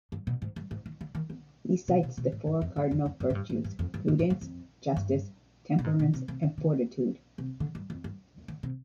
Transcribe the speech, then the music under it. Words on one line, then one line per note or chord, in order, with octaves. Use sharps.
He cites the four cardinal virtues: prudence, justice, temperance, and fortitude.
G2
B2
G#2
G2
G#2
D#3
D3
D#3
D3
C3
B2
B2
G#2
G2
F2
G2
F2
F2
G2
G#2
G2
G#2
G2
F2
G2
G2
G#2
G2
F2
G2
B2
G#2
B2
C3
C3
D#3
D3
C3
D3
G2
F2
G2
D3
C3